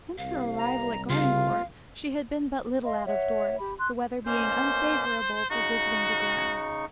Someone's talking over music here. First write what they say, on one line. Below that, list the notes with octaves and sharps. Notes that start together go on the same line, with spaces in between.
Since her arrival at Gardencourt she had been but little out of doors, the weather being unfavourable for visiting the grounds.
C2 F5
A#5
C#3 F4 F5
D#5 F5 C6
C#5 E5 F#5
G4 B5
C6 F#6
B2 A#3 C#4 C5
C#3 D#4 F#4 C#6